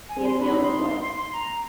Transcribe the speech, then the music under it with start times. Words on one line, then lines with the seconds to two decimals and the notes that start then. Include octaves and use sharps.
He appealed twice.
0.09 G#5
0.17 C4
0.25 C6
0.40 D4 B5
0.51 D#4
0.63 D#4 C6
0.75 D#4
0.87 C6
1.02 C6
1.18 C6
1.33 A#5